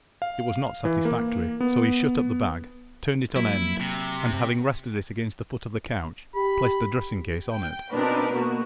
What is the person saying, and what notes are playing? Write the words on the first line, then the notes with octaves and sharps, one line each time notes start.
It was not satisfactory, so he shut up the bag, turned it on end, and, having rested it against the foot of the couch, placed the dressing-case on it.
F5
E3
A#3
B3
F#3 A#3 E4
C3
G4 B5
G5
B2 C4 D4 D#4 A#4 B4
A#3 B3 F#4